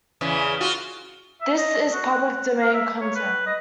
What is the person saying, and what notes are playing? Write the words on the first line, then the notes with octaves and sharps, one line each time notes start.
This is public domain content.
E2 C#3 E3
F4 F#4
E5
D#5
F#4
F#5
F5
E5
C#5
B4
D#5